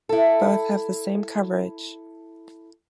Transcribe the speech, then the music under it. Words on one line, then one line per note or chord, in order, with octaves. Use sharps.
Both have the same coverage.
E4 A4